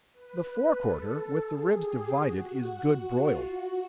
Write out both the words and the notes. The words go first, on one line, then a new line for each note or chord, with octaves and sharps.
The fore quarter, with the ribs divided, is good broiled.
B4
A4
G#4
G4
F#4
F#4
F4
F#4